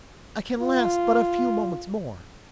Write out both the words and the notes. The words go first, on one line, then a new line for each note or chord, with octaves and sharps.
I can last but a few moments more.
F4